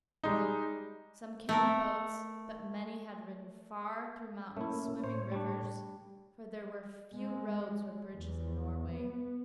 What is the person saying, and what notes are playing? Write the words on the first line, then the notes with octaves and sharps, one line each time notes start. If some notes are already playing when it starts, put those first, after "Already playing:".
Some came in boats. But many had ridden far through mountains, swimming rivers; for there were few roads or bridges in Norway.
G3 G#3 D#4
A3 A4 A#4
A3 A#3 C#4 E4
A2 C5 C#5
G3 D4
G#3
E2
B3